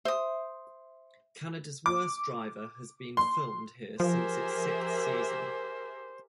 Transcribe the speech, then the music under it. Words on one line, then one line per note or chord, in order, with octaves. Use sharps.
Canada's Worst Driver has been filmed here since its sixth season.
C5 E5 D#6
D6
C6
F3 G4 G#4 A#4 C5 E5